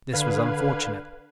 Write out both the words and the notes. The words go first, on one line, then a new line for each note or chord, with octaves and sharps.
This was unfortunate.
D3 B4 F5 G#6